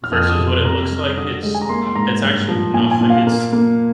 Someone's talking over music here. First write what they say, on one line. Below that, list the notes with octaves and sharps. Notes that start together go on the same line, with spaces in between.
versus what it looks like, it's it's actually nothi it's
F6
F2 D#6
D#6
C3
C6
C3 A#5
G3
D#6
D3 D#6
G#3
G#5
A#5
A#3 C6
C6
G#2 A#5
G2
F3
A#2 G#5
G#5
A#2
F5
A#3
A#3